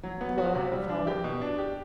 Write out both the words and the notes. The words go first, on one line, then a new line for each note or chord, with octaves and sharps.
The blow had fallen.
F#3
B3
F#4
C3
G3
D4
G4
B2
D4
G4